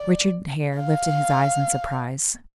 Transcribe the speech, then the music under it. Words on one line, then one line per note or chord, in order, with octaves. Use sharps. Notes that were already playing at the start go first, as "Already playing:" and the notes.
Richard Hare lifted his eyes in surprise.
Already playing: D5
F5